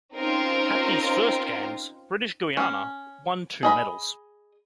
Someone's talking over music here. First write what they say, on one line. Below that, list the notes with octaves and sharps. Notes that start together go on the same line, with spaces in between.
At these first Games, British Guiana won two medals.
C4 C#4 D#4 F4 A#4
C#4
G#4 D#5 B5